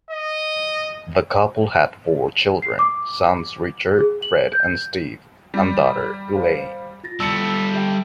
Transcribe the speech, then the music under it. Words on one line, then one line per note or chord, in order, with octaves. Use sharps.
The couple had four children: sons Richard, Fred, and Steve, and daughter, Elaine.
D#5
C7
D6
G#4
F#7
G6
G3
C5 F5
F4 A6 A#6
G3 A4 E6 C#7
G4 E5 G5